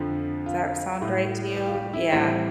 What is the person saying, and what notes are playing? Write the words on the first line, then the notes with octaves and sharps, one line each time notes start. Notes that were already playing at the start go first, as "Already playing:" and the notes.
Does that sound right to you? Yeah.
Already playing: F2 D3 F3
F4
A2 G3
G4
F4
G4
E4
A2 E3 G3 C4